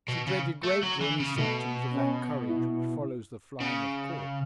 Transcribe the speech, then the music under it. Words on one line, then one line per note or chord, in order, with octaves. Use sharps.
She dreaded greatly any symptoms of that courage which follows the flying of corks.
B2
C#3
A3
F#3
E3
C#3
B2 A3
C#4
E4
C#3